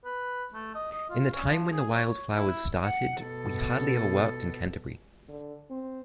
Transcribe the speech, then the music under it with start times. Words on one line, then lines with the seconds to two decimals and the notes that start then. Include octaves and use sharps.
In the time when the Wilde Flowers started we hardly ever worked in Canterbury.
0.05 B4
0.54 A3
0.75 D#5
0.92 D#5
1.10 F4
1.33 C#4
1.48 F3
1.71 G#4
1.94 C#5
2.35 E4
2.85 F#5
3.19 B2 A4
5.28 D3
5.70 C4